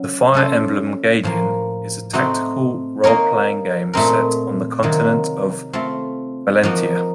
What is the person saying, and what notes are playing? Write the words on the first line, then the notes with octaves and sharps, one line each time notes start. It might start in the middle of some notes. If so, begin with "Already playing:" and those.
"Fire Emblem Gaiden" is a tactical role-playing game set on the continent of Valentia.
Already playing: F#3 C#4
A3 C#4 A4 C5
A2 F3 A#3
A3 C4 D#4 F#4
A#3 D#4 A#4 C#5
A#2 A3 C4 D#4 A#4
C3 D#3 F#3 A#3
A3 C4 F4
F3 A#3 D#4 F#4